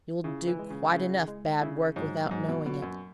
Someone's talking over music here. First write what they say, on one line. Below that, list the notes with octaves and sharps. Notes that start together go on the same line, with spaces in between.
You'll do quite enough bad work without knowing it.
C#3 E4
E3
G#3
C#3
C#3 E4
G#3
C#3 E4
G#2 F#3
G#2 F#3
B2
B2 F#3
F#2